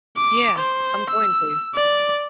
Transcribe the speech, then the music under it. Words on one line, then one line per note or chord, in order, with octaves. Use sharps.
Yeah, I'm going to.
D6
C5
E6
D5